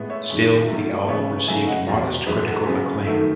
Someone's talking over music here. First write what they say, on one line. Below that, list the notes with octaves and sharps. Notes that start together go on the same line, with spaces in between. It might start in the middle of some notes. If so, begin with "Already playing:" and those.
Still, the album received modest critical acclaim.
Already playing: A2 G#3 B3
C#5 E5
F#2 D#3 G#3
B2 F#3 A3
C#3 E3 B3 C#5 E5
C#3 F#3 A3 E5 G#5
D#5 F#5
E2 B2 F#3
F#2 E3 G#3 G#4 B4
F#4 A4
C#3 F#3 B3 G#4
F#2 D#3 A3 F#4 A4